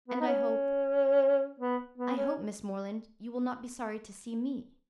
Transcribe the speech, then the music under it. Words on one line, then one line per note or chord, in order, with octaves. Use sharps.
"And I hope--I hope, Miss Morland, you will not be sorry to see me."
B3
D#4
C#4
B3
B3
C#4